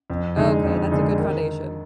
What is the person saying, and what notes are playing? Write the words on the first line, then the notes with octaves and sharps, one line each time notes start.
Okay, that's a good foundation.
F2
D3 G#3 D#4
F2
D3 G#3 D#4
D#3